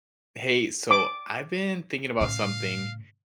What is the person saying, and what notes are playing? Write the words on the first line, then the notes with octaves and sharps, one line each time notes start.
Hey, so I've been thinking about something,
D6
A2 C#3 F5